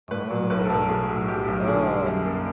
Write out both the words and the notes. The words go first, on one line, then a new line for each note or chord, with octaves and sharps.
Oh, oh.
A2 B4
F#3
B1 B4
A#4
A4
B1 A#4
A2 G#4
F#3
B1 G4
B1
D3 G#4
G3
F#2
A#3